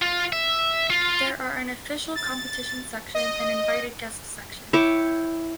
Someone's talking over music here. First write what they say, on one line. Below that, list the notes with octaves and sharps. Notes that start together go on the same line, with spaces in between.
There are an official competition section and invited guest section.
F4
E5
F4
A6
D#5
E4 C#5 G5 D6